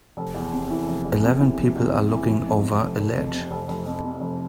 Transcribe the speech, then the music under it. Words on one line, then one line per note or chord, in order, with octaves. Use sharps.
Eleven people are looking over a ledge.
F1
E2
C3
E3
F1
E2
C3
E3
F1
E2
C3
E3
F1
F2
C3
F1
F1
F2
C3
F1
F1
F2
C3
F1